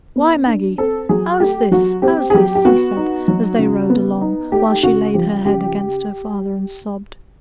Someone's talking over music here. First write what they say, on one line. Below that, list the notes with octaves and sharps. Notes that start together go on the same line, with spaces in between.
"Why, Maggie, how's this, how's this?" he said, as they rode along, while she laid her head against her father and sobbed.
B3
D4
C4 A4
F#3 G#4
A3 G4
F#3 F#4
C4 G4
G#4
F#3 G4
G4
B3 F#4
D#4
F#3
C#3
B3
D#4
A3 G4
C#3 F#4
F3 G4
C#3 G4